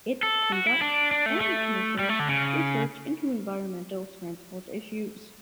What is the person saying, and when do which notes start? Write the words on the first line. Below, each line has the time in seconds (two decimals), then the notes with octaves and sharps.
It conducts and commissions research into environmental transport issues.
0.23 A4
0.52 F#4
0.67 E4
0.81 D4
1.11 D4
1.26 A3
1.41 A3
1.99 G3
2.09 A3
2.19 D3
2.29 C#3